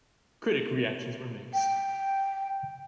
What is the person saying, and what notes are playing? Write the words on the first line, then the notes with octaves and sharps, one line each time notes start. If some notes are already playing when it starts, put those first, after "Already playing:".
Critic reactions were mixed.
G5